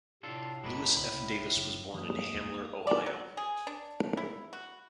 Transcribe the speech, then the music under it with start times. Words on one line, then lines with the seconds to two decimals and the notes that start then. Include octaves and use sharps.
Louis F. Davis was born in Hamler, Ohio.
0.23 A2 C3 D4 F4 A4
0.64 F#1 G#3 A#3 B4 A5 B5
0.97 C2 C#3 E5 B5
1.54 F#1 F#2 C#3
1.94 F#2 E3 F#3 A#3 D#6
2.33 D1 E2
2.87 D5
3.06 F#3
3.37 G#4
3.67 D4
4.17 E4
4.53 F#4